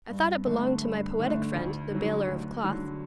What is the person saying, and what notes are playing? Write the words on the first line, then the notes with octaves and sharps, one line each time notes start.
I thought it belonged to my poetic friend, the baler of cloth.
G2
D3 A3
G2
D3 A3
D2
D3 F#3
D2
D3 F#3